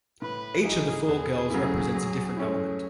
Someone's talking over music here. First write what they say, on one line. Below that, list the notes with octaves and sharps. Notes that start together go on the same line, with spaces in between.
Each of the four girls represents a different element.
A2 B4
E3 A3 D#4 G#4
E2
C#3 F#3 A3 E4
F#3
A3 C#4 E4